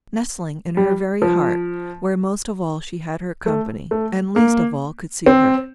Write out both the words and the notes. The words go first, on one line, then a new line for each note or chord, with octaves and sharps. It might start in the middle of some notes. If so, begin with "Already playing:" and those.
Nestling in her very heart, where most of all she had her company, and least of all could see her.
G3
F3
A3
A3
A#3
C4